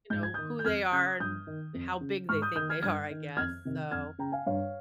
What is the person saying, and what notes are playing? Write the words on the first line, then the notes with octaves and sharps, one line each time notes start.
you know, who they are, and how big they think they are, I guess, so
G#2 G6
G#6
D#3 D#6 G6
G6
F2 F6 G#6
C#3 D#6 G6
G2 D#6 G6
D#3
F2
C#3
G#2 C#6 F6
D#6 G6
D#3 D#6 G6
F6 G#6
G2 F6 G#6
D#3
F2 F6 G#6
C3 D#3
F2 F6 G#6
C#3 G5 A#5
F5 G#5
G2 C#5 F5